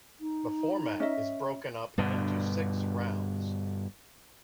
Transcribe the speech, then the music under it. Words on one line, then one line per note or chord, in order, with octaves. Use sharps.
The format is broken up into six rounds.
D#4
C#4 D#5 E5
G2 B2 D3